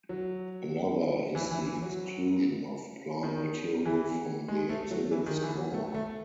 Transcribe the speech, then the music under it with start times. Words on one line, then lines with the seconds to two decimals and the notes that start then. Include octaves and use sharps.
Another is the exclusion of plant material from the exhibit's core.
0.09 F#3
1.35 E3
1.51 E3
1.66 E3
1.82 F#3
3.23 D#3
3.85 E3
4.48 G#3
4.69 A3
4.91 F#3
5.11 E3
5.26 D#3
5.43 E3
5.58 F#3
5.74 A3
5.94 A3